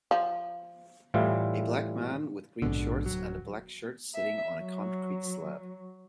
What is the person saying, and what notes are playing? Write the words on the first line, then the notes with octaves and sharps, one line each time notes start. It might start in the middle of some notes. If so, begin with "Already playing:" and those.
A black man with green shorts and a black shirt sitting on a concrete slab.
F3
A2 E3 G3 F4
A#1 G#2 B2 D3
D1 F#3
E5
F#3